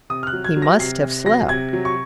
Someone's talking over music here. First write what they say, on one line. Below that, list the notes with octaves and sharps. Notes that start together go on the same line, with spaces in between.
He must have slept.
C3 D#6
F6
F#6
F#3
G#6
F#3
A#6
C3 C7
C3
F#3 A#6
C3 G#6
F#3
C#6